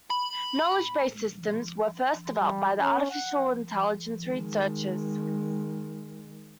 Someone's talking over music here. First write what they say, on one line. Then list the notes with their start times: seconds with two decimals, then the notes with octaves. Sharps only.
Knowledge-based systems were first developed by artificial intelligence researchers.
0.10 B5
2.40 G3
2.81 C#4
3.11 F#5
4.23 D#3 G#3